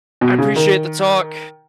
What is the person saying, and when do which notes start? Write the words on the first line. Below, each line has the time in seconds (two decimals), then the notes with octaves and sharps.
I appreciate the talk.
0.21 B2
0.38 C#3
0.56 D#3